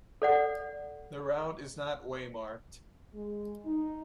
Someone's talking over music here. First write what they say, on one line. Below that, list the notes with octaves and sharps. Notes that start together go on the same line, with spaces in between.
The route is not waymarked.
A4 D5 F#5
G#3
D#4